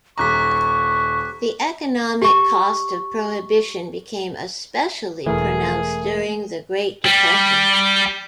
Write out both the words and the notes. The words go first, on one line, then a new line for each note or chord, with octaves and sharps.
The economic cost of Prohibition became especially pronounced during the Great Depression.
D#1 A#5 C#6 D6 F#6 B6
G4 C#6
E1 E3 A3 G#4 A#4
G3